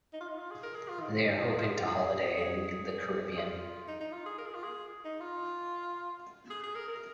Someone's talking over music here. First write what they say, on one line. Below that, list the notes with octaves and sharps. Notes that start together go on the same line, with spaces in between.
They are hoping to holiday in the Caribbean.
D#4
F4
D#4
F4
G#4
A#4
G#4
F4
D#3
C3
D#3
F4
G#4
F4
G#4
D#4
F4
G#4
G#4
G#4
G#4
F4
D#4
D#4
F4
G#4
A#4
G#4
F4
G#4
D#4
F4
G#4
G#4
A#4
A#4